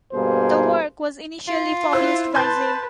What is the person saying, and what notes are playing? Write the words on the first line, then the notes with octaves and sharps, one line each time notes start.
The work was initially published by J.
G2 B2 A#3 G#4 C5
F4
E4 C5 E6 F#6
B4 A5 C6 G6 A6